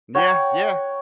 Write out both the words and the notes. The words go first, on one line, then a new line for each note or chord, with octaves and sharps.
Yeah, yeah.
C#5 F#5 G5 A#5